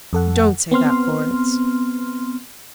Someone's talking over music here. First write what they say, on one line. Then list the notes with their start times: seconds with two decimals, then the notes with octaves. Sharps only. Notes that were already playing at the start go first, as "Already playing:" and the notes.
"Don't say that, Florence."
0.13 F2 A4 F#5
0.71 B3 C4 C6 F6